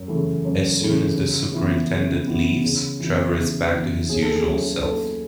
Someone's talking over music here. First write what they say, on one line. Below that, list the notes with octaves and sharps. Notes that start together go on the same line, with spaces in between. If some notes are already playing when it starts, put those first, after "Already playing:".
As soon as the superintendent leaves, Trevor is back to his usual self.
Already playing: F#2
C#3 E3 A3
F#2
C#3 E3 A3
C#3
E3 B3 E4
C#3
E3 B3 E4
C#3
E3 B3 E4
C#3 G#4
E3 B3 E4
D#2 G#4
A4
G#4
D#3 F#3 C#4 E4
D#2 A4